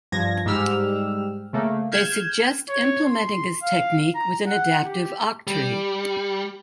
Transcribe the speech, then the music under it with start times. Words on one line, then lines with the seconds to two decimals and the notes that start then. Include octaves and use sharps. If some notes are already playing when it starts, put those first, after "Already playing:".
They suggest implementing this technique with an adaptive octree.
0.12 G2 F3 G#6 A#6
0.46 G#2 G3 G4 E6 F6
1.53 C#3 A3 A#3
1.92 F6 G6 G#6 E7
2.69 C#5
3.06 C6
3.63 F5
4.15 A#5
4.47 F#5
4.86 G4
5.47 G3